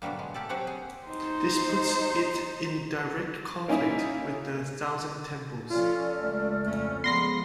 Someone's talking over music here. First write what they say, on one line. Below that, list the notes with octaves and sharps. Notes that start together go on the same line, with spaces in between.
This puts it in direct conflict with the Thousand Temples.
B2 D3 F#3 G3 A#3
G#3
A#3 G4 A4 D5
F#3 C4 G4 C5 F#5
G#4
D#4 C5
A#3 C#4 D#4 E4
F3 C#4 F4 A4 D5 F6
C#2 A3
F2 C#3 A3 C#4
F3 G#3 B3 C6 A#6 C7